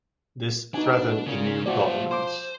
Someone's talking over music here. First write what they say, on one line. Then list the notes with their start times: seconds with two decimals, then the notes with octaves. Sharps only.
This threatened the new governments.
0.74 B2 D4 D#4 G#5
1.26 A#2 C#3 C#4
1.66 F3 A#3 F#4 D5 E5
2.11 C5 C6 D6